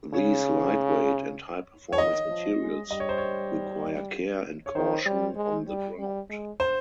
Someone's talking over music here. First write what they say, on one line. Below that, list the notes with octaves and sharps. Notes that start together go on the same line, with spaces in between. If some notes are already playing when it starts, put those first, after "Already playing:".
These lightweight and high performance materials require care and caution on the ground.
C#3 C#5
C#5
D#3 D#5
F3
G#3
G3 D#5
C#5
C5
C#5
C#5
D#3 C5
G3
G#3
G3
G3
G#3
C5